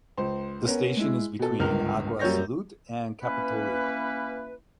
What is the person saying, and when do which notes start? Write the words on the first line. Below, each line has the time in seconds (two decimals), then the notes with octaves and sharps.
The station is between Agua Salud and Capitolio.
0.17 C#2 C5
0.66 B3 C#4 A#4
0.97 G#3 E4
1.39 B2 A4
1.59 G1 C#2 G#2 A#4 F6
2.19 F#2 G3 A#3 C#5 G6 A#6
3.22 E3 A#3 C#4 B4